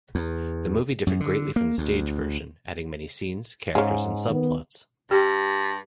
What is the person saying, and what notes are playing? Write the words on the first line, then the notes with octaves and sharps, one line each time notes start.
The movie differed greatly from the stage version, adding many scenes, characters, and subplots.
E2
F#2
D3
A#3
D2
G#2 C#3 G#4
D#3 B3
G2 G4 G5